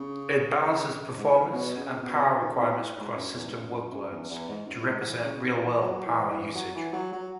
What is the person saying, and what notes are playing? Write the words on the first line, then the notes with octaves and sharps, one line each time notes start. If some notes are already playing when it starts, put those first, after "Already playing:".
It balances performance and power requirements across system workloads to represent real-world power usage.
Already playing: C#3
G#2
A2
B2
C#3
B2
B2
C#3
D#3
B2
A2
G#2
F#2
E2
G#2
F#2
F#2
F#2
E2
E2
G#2
F#2
A2
G#2
F#3
E3
C#3
D#3
E3
F#3
E3
E3
F#3
E3
F#3
F#3